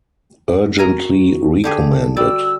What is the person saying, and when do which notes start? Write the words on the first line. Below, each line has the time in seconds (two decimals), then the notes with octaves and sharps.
Urgently recommended!
0.78 F#4 A#4 G#5 A#5
1.64 D3 G4 G#4 A5
2.17 G3 F#4 D5 E6